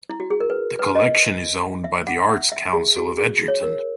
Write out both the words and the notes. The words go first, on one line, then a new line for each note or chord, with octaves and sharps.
The collection is owned by the Arts Council of Edgerton.
E4
F#4
G#4
A#4
B4
B4
D#5
E5
F#5
E5
E5
G#4
F#4
G#4
C#5
A#4